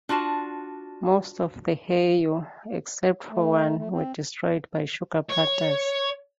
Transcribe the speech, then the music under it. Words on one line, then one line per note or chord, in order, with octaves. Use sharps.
Most of the heiau, except for one, were destroyed by sugar planters.
D4 F4 F#4 A5
A3
A3
C4
C#5